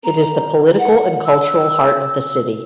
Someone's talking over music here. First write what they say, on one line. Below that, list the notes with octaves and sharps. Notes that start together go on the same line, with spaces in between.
It is the political and cultural heart of the city.
A#5
F#5
E6